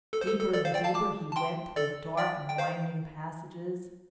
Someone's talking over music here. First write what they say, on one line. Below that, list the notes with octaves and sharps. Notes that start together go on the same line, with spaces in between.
Deeper and deeper he went through dark and winding passages.
A4
C5
A4
A4
A4 D5
C5 F5
D5 G5
F5 A5
A5 D6
A5
G5 C6
A4 D5
D5 G5
G5
C5 F5